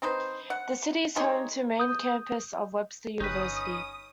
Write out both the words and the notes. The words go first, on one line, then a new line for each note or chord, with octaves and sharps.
The city is home to the main campus of Webster University.
C4 D#4 B4 C5
F#5
G#3 D#4 G4 C#5
D#6 G6
G1 C#4 D#4 G4 B4 D#6 F#6